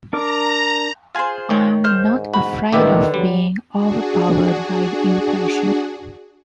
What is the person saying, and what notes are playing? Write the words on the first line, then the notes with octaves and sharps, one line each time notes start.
I am not afraid of being overpowered by the impression.
D4 A#4 A#5 D6
F4 G#4 C5 F5 G#5
D#3 C#5 G5
G#2 C5 F6 G6
F#4 B5
A1 D3 D#3 B3 G4 E5
F#3 G3
D4 F#4 G#4